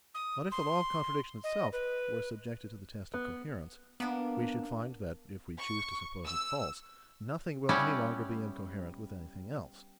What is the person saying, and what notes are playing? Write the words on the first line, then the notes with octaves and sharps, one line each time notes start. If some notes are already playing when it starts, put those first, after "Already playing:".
But if the law of contradiction itself were subjected to the test of coherence, we should find that, if we choose to suppose it false, nothing will any longer be incoherent with anything else.
D#6
C6
D#5
B4
B3
A#3 B3 D4
C#6
E6
G3 B3 C#4 E4 C#5 D5